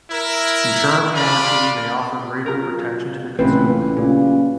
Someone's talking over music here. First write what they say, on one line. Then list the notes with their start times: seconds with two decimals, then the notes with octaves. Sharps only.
Insurance warranties may offer greater protection to the consumer.
0.11 E4 A#4
1.14 D4 F4 D5 B5
2.46 B2 F#3 F4 A#4 A#5
3.39 A1 A#2 C#3 A3 C4 B4
3.97 A#2 C#3 F#3 G3 F4